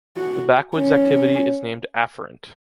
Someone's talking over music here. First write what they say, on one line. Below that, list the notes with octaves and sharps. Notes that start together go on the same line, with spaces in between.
The backwards activity is named “afferent”.
F#4
C#4